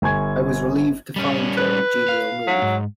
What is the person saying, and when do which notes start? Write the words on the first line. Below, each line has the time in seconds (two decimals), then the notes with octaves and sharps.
I was relieved to find her in genial mood.
0.02 G1 G#5 C#6 G#6
1.16 G3 C#4
1.57 B4
2.08 F5
2.47 F#3
2.62 G#2